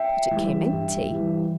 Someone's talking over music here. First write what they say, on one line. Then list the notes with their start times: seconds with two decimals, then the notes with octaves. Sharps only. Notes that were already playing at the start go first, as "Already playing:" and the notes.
But it came empty.
Already playing: E5 G5
0.31 E3 G3
0.72 G2
1.11 E3 G3